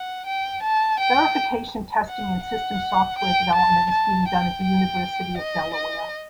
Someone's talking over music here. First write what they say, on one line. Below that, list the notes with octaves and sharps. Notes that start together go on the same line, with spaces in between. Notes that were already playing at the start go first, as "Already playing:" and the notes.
Verification testing and system software development is being done at the University of Delaware.
Already playing: F#5
G5
A5
G5
F#5
F#5
G5
A5
A5
G5
G5
D#5
D#5